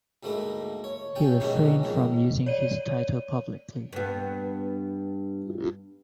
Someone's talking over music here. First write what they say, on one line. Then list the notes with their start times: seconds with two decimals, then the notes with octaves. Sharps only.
He refrained from using his title publicly.
0.23 D2 G#2 A3 A#3 B5
0.84 C#5
1.15 C3 C#4 G5 A5
1.40 G#2 B2 D#3 E3 A#3 C#4
1.83 F2 G#2 D#3
2.46 C#5 D5 D#7
3.93 G2 B3